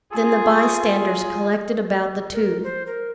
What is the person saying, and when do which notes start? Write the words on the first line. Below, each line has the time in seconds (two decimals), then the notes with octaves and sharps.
Then the bystanders collected about the two.
0.11 F4 G#4
2.34 A#4
2.64 C5
2.87 A#4